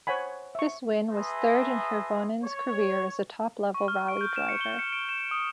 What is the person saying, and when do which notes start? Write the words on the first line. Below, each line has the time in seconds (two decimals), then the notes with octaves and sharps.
This win was third in Hirvonen's career as a top level rally driver.
0.07 C5 C#5 F#5 G#5 B5
0.55 E5 C#6
1.10 G#4 B4 D#5 E5 A5 C6
2.44 C#5
3.74 C#6
3.88 F6
4.08 D7
4.21 G6
4.36 E7
4.49 C#7
4.61 G7
4.79 C#7
4.93 D7
5.09 E7
5.31 D#6